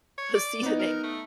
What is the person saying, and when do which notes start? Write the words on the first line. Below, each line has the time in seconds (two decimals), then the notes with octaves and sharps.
the seasoning.
0.18 C#5
0.35 D5
0.63 B3 D#4
0.79 A#4
1.03 A3